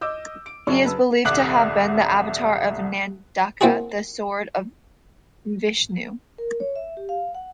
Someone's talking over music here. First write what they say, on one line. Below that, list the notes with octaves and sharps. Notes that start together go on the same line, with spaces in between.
He is believed to have been the avatar of Nandaka, the sword of Vishnu.
D#5 D6 E6 G6
D7
F#2 C#3 F#3 D4 C#6
B4 A5 E6
D#1 C2 D6 F#6 F#7
A#3 C4 E4 F#4 G#4
A#4
C#5
E5
G4
F5
F#5